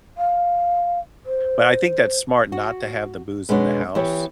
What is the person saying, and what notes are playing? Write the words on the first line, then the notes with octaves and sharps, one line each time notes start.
But I think that's smart not to have the booze in the house.
F5
C5
F#4
B2 G#3 B3 D4 C5 C#5
E3 B3 G4 C#5